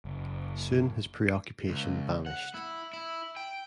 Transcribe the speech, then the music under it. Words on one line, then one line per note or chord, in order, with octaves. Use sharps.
Soon his preoccupation vanished.
F#1
C#2
F#5
E4
E4
G5